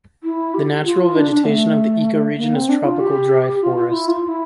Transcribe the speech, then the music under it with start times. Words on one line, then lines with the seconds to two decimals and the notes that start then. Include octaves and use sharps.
The natural vegetation of the ecoregion is tropical dry forest.
0.23 E4
0.54 G4
0.85 F4
1.00 F4
1.16 D4
1.31 D4
1.46 A3
2.38 A#3
2.54 C4
2.69 D4
2.84 F4
3.00 G4
3.62 F4
3.77 F4
3.92 E4
4.08 F4
4.23 F4
4.28 E4